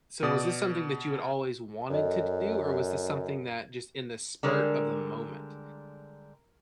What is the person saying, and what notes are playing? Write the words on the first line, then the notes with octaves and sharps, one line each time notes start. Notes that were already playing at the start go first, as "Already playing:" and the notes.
So was this something that you had always wanted to d do, or was this something that just in the spur of the moment,
B2 D5 D#6
F#2 A4 D5 D#5
D3 G3 G#3 A#4